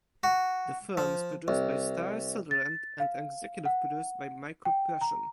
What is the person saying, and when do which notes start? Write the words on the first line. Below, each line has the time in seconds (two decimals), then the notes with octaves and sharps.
The film is produced by Starr Sutherland and executive produced by Michael Prussian.
0.23 F#4
0.97 F3
1.48 C2
2.51 A6
3.00 F5
3.65 F#5
4.65 G5
5.01 A#5